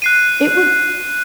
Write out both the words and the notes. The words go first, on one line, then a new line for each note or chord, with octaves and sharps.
it would
F#6 C7 D#7